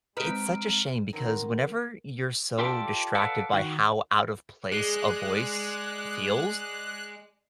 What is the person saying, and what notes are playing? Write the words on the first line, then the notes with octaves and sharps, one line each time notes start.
it's such a shame because whenever you're so distracted by how out of place a voice feels,
G#3 C4 D#4 B4 A#5 F6 D7
D#3 F#3 C4 A#4 C6
F4 G4 A4 D5
A4 B4 D5 F5 F#5 A5
D#3 F#4
G#3 G#4 D5 F#6 C7 G7